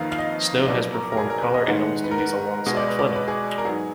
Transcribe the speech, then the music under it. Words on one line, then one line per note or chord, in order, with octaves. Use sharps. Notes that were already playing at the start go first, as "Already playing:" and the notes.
Snow has performed color analyst duties alongside Flemming.
Already playing: F2 D#3 A#3 B4 F5
F5
D#5
B2 F#3 B3 D5
A#4
A#4
G#4
A#4
B4
D#5
G#2 D#3 G#3 B3 F#5
B4
A#4
B4
B2 G#3 B3 D#5
D5
B4
D5
B4
G#4
A#4
G#2 F#3 B3 G#4